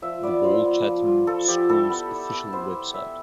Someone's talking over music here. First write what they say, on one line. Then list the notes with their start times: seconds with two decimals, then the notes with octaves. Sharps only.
The Ball Chatham Schools Official Website.
0.02 F3 E5
0.23 B3 D5
0.44 F3 C5
0.65 B3
0.86 F3
1.06 F4
1.27 F3 A4
1.48 F3 G4
1.69 E4 A4
1.90 B3
2.11 E4
2.32 B3
2.53 B3 C5
2.73 B3
2.94 E4 E5